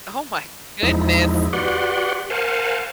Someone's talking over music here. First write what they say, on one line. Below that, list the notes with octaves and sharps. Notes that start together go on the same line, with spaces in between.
Oh my goodness.
E2 F3 G#3 D#4 E4
F#4 G4 B4 D5 F#5 C6
A#4 C5 F5 F#5 G#5 A5